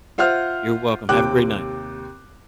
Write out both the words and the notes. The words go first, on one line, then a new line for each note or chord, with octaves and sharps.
you're welcome, have a great night.
F4 C5 E5 F#5 F6
D#2 C3 G5 D6 F#6